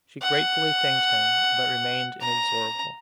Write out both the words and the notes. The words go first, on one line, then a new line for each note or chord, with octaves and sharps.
She gratefully thanked him but remained inexorable.
F#5
A#5